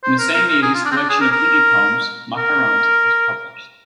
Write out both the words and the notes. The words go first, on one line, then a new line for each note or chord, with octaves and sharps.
In the same year his collection of Hindi poems "Makarand" was published.
C5
A#4
A#4
A#4
G#4
F4
D4
C4
D4
G#4
A#4
A#4
A#4